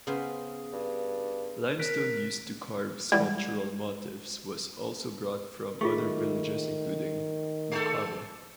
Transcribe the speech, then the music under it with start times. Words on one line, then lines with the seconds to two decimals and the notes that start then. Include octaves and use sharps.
Limestone used to carve sculptural motifs was also brought from other villages including Mqabba.
0.07 C#3 B3 G#4 C5
0.73 G2
1.79 A#4 F#6 B6 D7
3.12 E3 G3 G#3
5.81 D#3 A3 F4 G#4 C#6
7.72 G#3 A4